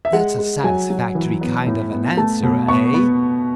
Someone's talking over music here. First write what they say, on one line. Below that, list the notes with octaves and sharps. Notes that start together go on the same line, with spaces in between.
That's a satisfactory kind of an answer, eh?
E5
G#3 F#5
G#3
F#3 G#5
F#3
E3
B3
A2
B3
A3 A5
B2
B3 C#6
B3